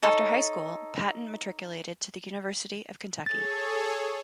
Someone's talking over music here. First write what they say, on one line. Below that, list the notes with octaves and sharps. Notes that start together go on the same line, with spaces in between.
After high school, Patton matriculated to the University of Kentucky.
D#4 A4 C#5
G#4 A4 C#5 A6